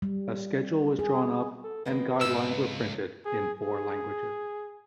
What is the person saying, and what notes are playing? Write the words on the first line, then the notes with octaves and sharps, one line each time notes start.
A schedule was drawn up, and guidelines were printed in four languages.
G3
G#4
A4
D#3 G#3 B3 C4
C#2 G#2 C3 E6
G#4
G#4